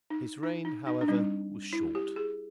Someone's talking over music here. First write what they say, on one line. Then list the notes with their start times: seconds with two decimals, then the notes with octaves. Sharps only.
His reign, however, was short.
0.10 D#4
0.43 D#4
0.65 D#4
0.87 D#4
1.01 D4
1.08 G3 C4 D#4
1.73 E4
1.95 G4
2.16 G#4